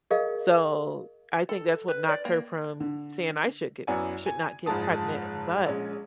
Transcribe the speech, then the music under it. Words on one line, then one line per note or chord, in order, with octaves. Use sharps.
So, I think that's what knocked her from saying, "I should get should not get pregnant." But
G#4 A#4 D#5 F5
A4
B4
D5
A#3
D3
F#2 B3 E4 F#4 D5 G#5
G#5
F#1 G#2 F3 G#3 A5 D#6
A#1 G#3 C#4